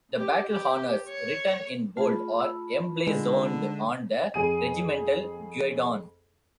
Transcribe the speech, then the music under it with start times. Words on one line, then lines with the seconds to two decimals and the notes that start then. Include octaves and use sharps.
The battle honours written in bold are emblazoned on the regimental guidon.
0.18 G4
0.49 G4
1.08 C#5
1.97 A3 F4 G#4 A5 B5
2.40 E6
3.07 D3 G#3 D#4
4.34 F2 G#4 D#7